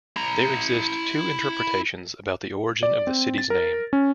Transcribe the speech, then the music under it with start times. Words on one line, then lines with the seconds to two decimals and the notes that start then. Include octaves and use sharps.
There exist two interpretations about the origin of the city's name.
0.16 E4 A#5
2.83 D5
3.07 C4
3.38 A6
3.50 A#4
3.93 C#4